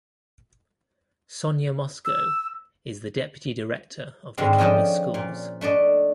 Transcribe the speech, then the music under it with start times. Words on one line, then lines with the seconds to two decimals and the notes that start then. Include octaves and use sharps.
Sonya Mosco is the deputy director of the Campus Schools.
2.05 E6
4.38 G#2 D3 D#3 G#3 C4
4.58 F3 C#4 D4 D#5 G5
5.14 A#2
5.61 A3 D4 D5 D#5